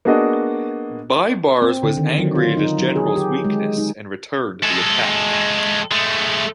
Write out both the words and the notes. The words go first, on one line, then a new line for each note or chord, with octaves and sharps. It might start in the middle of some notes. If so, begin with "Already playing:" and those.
Baibars was angry at his generals' weakness, and returned to the attack.
A#3 B3 D4 F#4 G#4 D#5
C4
D3
D#3
F#3
F4
D#4
F#3
G#4
G4
G#3
D#4
G#3 A4
G#3 A3